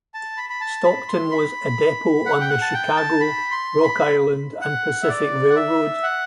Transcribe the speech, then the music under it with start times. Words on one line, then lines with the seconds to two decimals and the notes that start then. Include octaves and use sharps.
Stockton was a depot on the Chicago, Rock Island and Pacific Railroad.
0.14 A5
0.37 B5
0.50 B5
0.61 A5
0.85 B5
1.08 C6
1.31 B5
2.26 F#5
2.41 G5
2.49 F#5
2.62 A5
2.73 G5
2.97 A5
3.20 B5
3.51 C6
3.83 B5
4.61 F#5
5.03 E5
5.09 D5
5.50 F#5
5.56 E5
6.03 F#5